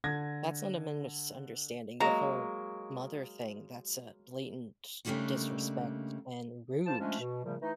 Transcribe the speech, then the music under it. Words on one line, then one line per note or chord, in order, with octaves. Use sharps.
That's not a misunderstanding, the whole mother thing, that's a blatant disrespect and rude.
D3 G#6 A#6
F#3 G#3 A#3 A#5
C#3 G3 A3 A#3 D4 D#4
F3 C5 A5
F3 G#3 A3 C#4 D4
B2
A#2 C#3 F3 G3 A3
E3 A3 D#4